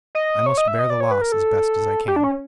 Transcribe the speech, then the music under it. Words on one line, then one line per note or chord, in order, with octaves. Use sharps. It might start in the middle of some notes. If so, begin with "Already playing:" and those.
I must bear the loss as best as I can.'
D#5
C#5
D#5
E5
D#5
D5
C#5
B4
A#4
A4
G4
D4
C#4